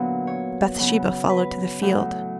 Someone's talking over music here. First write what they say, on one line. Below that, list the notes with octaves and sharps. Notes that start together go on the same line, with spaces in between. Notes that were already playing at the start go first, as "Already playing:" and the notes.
Bathsheba followed to the field.
Already playing: A#2 D3 F#3 B3 C#5
C#5
C#3 F#3 B3
B4
A2 F#3 A3